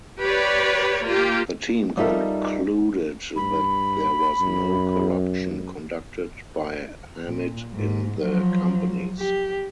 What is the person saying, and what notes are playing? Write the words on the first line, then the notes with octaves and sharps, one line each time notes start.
The team concluded that there was no corruption conducted by Hamid in the companies.
G4 B4 C#5 D5
A#3 F4 G4
G3 D#4 F4 A4 A#4 E5
G2 B5
F#2
A#2
G#2
F3 F#3
G4